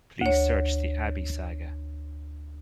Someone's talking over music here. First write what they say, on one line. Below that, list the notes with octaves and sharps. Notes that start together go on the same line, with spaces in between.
Please search the Abby saga.
D2 C#5